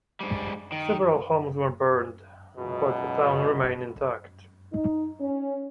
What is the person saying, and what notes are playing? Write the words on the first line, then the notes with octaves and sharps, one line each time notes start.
Several homes were burned, but the town remained intact.
G#2 G3
D#3
C#2 F#2 B2
D#4
C#4